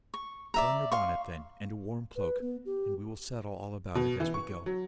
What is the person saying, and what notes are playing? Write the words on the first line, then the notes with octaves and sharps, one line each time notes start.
"Put on your bonnet, then, and a warm cloak, and we will settle all about it as we go."
C#6
D5 E5 A#5
F5 C6 C#6
B4
B3
G4
B2
E3
C#6
F#3